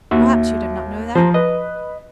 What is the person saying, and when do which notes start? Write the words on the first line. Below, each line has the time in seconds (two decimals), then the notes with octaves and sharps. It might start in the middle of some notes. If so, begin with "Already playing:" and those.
Perhaps you did not know that?
0.11 D#2 F#4 E5
1.15 F3 C5 A#5
1.34 B4 D#5